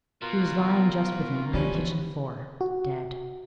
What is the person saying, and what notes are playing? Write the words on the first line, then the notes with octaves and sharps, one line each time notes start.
He was lying just within, on the kitchen floor, dead.
B2 F4 A#4
E3 F3 G3 C#4 E4
F#4